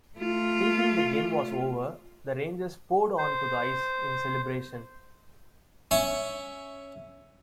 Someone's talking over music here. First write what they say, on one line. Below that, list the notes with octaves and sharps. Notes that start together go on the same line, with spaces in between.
Thinking the game was over, the Rangers poured onto the ice in celebration.
A3 F4
C5
C#4 E5